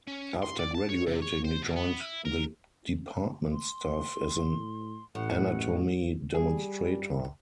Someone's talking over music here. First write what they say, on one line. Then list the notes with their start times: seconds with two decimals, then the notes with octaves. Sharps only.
After graduating he joined the department staff as an anatomy Demonstrator.
0.07 C#4
0.42 C6
0.59 D5
0.75 A5
0.89 C#5
1.07 C3
1.22 C#5
1.45 C5
1.62 B2
1.76 B3
2.01 E4
2.25 A#4
3.52 C6
4.56 A2
5.15 A1 A2 F#5
6.34 G3 G#4